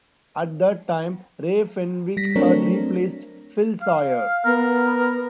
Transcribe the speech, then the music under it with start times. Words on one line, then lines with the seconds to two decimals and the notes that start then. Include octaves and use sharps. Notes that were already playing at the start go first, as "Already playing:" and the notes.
At that time Ray Fenwick had replaced Phil Sawyer.
2.17 G3 A#6 B6
2.36 F#3 A3 C4 D4 A#4 C#5
3.82 F5
4.45 B3 A#4